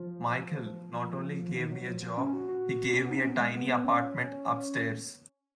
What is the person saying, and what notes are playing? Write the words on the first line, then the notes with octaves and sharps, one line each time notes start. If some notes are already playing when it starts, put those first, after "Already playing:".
Michael not only gave me a job, he gave me a tiny apartment upstairs.
Already playing: F3
F3
D#3
F#3
F3
F3
C#4
F#4
F#4
C#4
B3
D#4
C#4
B3
G#3
B3
B3
C#4